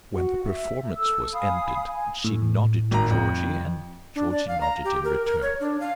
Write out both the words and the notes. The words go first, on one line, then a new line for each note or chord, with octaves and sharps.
When the performance was ended she nodded to Georgie, and Georgie nodded in return.
F#4
E5
A4 E6
F5 G#5 B5 D#6
G#5
A2
G#1 A#5
F2
D4
D5
F5
A#5
G4
A#4
A#4
C#5
D4
F5